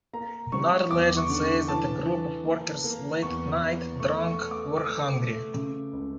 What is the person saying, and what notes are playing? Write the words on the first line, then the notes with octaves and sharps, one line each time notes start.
Another legend says that a group of workers, late at night, drunk, were hungry.
A#3 A#5
G3 C#6
E2 D6
C#6
D3
C#6
E3 A5
E3
A#3
A#3
E2 C#6
E2
A3 C#6
C#6
A3
D6
A3 D6
A3
C#3
C#2